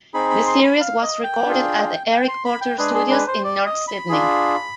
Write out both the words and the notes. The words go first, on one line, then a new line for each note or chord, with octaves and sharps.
The series was recorded at the Eric Porter studios in North Sydney.
C4 D#4 G#4 B5
B5
C6
B5
F5
D#5
G5
D4 F4 G#4
G5
C6
B5
G5
G#3 D4 G#4 B4
G#4
B4
C5
D5
D#5
B5
D4 F4 G#4